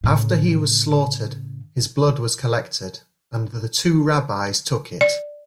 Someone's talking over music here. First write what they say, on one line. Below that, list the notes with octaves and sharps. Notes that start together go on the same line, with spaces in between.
After he was slaughtered, his blood was collected, and the two rabbis took it.
A2 C#3
D5